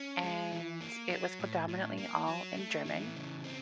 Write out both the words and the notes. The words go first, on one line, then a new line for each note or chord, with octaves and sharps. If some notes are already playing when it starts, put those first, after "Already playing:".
and it was predominantly all in German,
Already playing: C#4
G#3
E3
A#3
F#3
A2
A2
A#3
F#3
A3
E3
C#3
C4